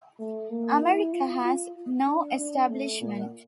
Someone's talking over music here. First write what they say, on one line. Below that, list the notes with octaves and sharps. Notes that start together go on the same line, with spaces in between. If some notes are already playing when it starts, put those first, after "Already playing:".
America has no establishment.
A3
A#3
E4
F4
F4
D4
D4
A3
A#2